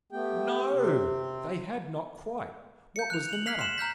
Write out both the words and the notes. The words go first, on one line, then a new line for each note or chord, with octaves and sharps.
No! they had not quite: what was the matter?
A3 B3 G4 G5
C3 C4
G6 C#7
F#6 F7
F7 F#7
F6 F#6 B6 C7 F7 F#7
C6 E7
A#5 F6 G6 B6